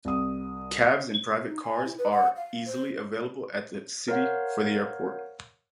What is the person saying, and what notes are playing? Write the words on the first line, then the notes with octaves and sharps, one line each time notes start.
Cabs and private cars are easily available at the city for the airport.
C2 D#6
D#4
G#5
E4
B4
F#5
F5
C5
A#4 C5 C#5 F5 F#5